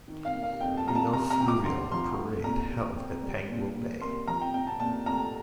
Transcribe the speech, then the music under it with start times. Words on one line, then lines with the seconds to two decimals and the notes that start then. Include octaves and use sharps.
Nino Fluvial Parade held at Panguil Bay.
0.08 D#3
0.25 F5
0.34 A#3
0.43 F5
0.61 F2 G5
0.77 A5
0.86 G3 A#5
0.95 A5
1.13 C3 A#5
1.30 A#5
1.39 C4
1.48 D6
1.66 D2 C6
1.92 F3 C6
2.18 A3
2.44 A#2 A#5
2.71 A#2
2.96 C4
3.23 G3
3.49 A#2
3.76 A#2
4.01 A#3 C6
4.28 F3 A#5
4.41 G5
4.54 C4 G5
4.67 A5
4.80 A#2 A5
5.06 A3 A#5